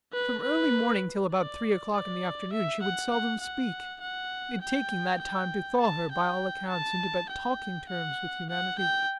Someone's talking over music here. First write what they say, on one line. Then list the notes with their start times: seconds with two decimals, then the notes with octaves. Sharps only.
From early morning till about three o'clock in the afternoon she would seldom speak--it taking that time to thaw her, by all accounts, into but talking terms with humanity.
0.13 B4
0.42 B4
1.33 D5
1.93 D5
2.52 E5
2.82 F#5
3.11 F#5
3.41 F#5
4.01 F#5
4.62 G5
5.21 G5
5.80 A5
6.11 G5
6.70 A5
7.30 G5
7.89 F#5
8.50 F#5
8.79 G5